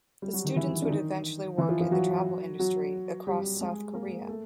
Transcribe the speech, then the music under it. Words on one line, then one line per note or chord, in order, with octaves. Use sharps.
The students would eventually work in the travel industry across South Korea.
G3 G4
F#3 F#4
D#3 D#4
E3 E4
D4
D#3 D#4
E3 E4
F3 F4
F3 F4
F#3 F#4
F#3 F#4
G3 G4
G#3 G#4
A#3 A#4
A3 A4